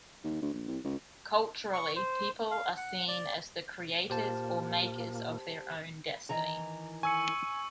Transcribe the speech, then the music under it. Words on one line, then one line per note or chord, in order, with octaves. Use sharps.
Culturally, people are seen as the creators or makers of their own destiny.
D#2
D2
A#1
C2
C#2
C#6
C5
F5
F#5
D5
A#2 A#3 G4 C5 A5
D#3 E3 A#5
G#5 C#6 E6 C#7